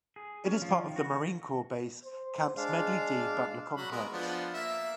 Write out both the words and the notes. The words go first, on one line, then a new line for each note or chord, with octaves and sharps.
It is part of the Marine Corps Base Camp Smedley D. Butler complex.
G#4
C#4
F3
D#3
F#4
C5
G#3 D4 F5
F#3 B5
G#3 B3 A#4
F3 B3 D4
A#3 E5